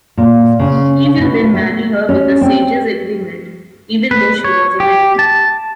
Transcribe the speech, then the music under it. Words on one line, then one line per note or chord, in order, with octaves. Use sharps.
He will then marry her with the Sages’ agreement, even though she was a widow.
A#2
C#3
B2
A3
C#4
C4
B4
C#5
G4
A5